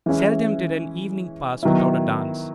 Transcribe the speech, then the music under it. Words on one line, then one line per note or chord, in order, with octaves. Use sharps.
Seldom did an evening pass without a dance.
E3 G#3 C#4 E4
D#3 F#3 B3 E4